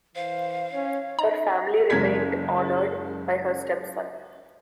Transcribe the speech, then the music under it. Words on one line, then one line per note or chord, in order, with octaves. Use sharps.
Her family remained honored by her stepson.
E3 C5 F5
C#4 C#5
D#4 D#5 A#5
F#1 G#3 A#4 G#6 B6